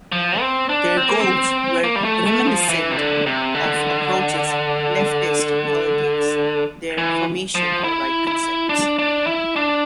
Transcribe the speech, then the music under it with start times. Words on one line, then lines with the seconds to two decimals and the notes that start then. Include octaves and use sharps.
Their goals were reminiscent of approaches leftist politics, their formation on right concepts.
0.12 F3
0.40 C4
0.69 D4
0.97 C4
1.09 A#3
1.20 C4
1.84 A#3
1.96 G3
2.05 A3
2.26 A3
2.47 F3
2.69 E3
2.91 C3
2.97 D3
3.26 C3
3.54 D3
6.98 E3
7.55 F3
7.84 E4
8.27 E4
8.69 D4
8.99 D4
9.27 E4
9.56 D4